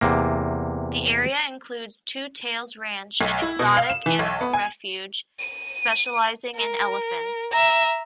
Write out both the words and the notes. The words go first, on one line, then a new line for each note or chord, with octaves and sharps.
The area includes Two Tails Ranch, an exotic animal refuge specializing in elephants.
E2 C3 A#3
B1
E4
B2
F5
E7
E3
B1
B3
G#5
D#7
A#4
E5 A#5